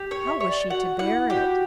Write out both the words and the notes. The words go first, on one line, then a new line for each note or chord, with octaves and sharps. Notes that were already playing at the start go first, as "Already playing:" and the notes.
How was she to bear it?
Already playing: G4
C#5
E5
C#5
D5
F#4 F#5
E4 F#5
F#4 G4